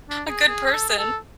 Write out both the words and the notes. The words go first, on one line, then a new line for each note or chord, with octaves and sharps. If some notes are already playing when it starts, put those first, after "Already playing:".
A good person.
D4
G#4
G#4
G#4
A4
G#4
A4